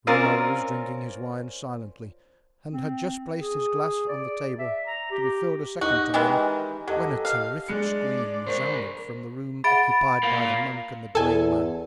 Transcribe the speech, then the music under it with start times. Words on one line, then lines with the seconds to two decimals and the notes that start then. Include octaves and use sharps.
Grimaud was drinking his wine silently and had just placed his glass on the table to be filled a second time, when a terrific scream resounded from the room occupied by the monk and the dying man.
0.07 C4 C#4 F4 A#4 D5
2.72 C4
3.38 G#4
4.08 D5
4.58 E5
4.87 A#5
5.11 G4
5.81 D#4 F#4 G4 D#5
6.14 D#3 E3 G#3
6.88 F#3 G4 A4 D#5
7.25 F5
7.68 G#3 D4 D5 C#7
8.47 A#4 C5
9.64 G#4 E5 F#5 B5 A6 D7
10.23 A#3 F4
11.15 E2 A4 G#5